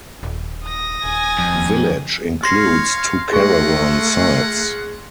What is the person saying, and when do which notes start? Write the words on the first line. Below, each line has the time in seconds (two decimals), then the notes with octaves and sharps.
Village includes two caravan sites.
0.23 D#1
0.64 D#6 A#6
1.04 D#1 G#5
1.39 F2
2.44 C#5 F5 C6 A#6 C7
3.32 G#3 A3 F4 G#4 F#5 C#6